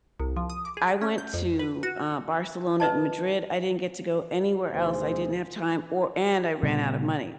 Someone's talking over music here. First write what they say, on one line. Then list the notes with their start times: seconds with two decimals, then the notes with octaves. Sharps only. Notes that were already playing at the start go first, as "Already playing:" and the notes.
I went to, uh, Barcelona and Madrid, I didn't get to go anywhere else, I didn't have time or and I ran out of money.
0.19 C2
0.36 F3
0.50 D#6
0.65 D6
0.77 G#4
1.01 C#4
1.18 G6
1.34 F2
1.59 B4
1.83 F#4
2.80 B4 D#5 A5
4.70 D2 B2 D#4 G#4 C5
6.63 A#2 C#3 G3 B3